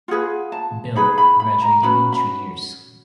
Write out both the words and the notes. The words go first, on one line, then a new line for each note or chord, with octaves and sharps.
Bill, graduating in three years.
F4 G#4 B4 F#5
A5
D#4 G#4 B4 B5
B5
B5
A#5
C#4 F#4 B4 B5
B5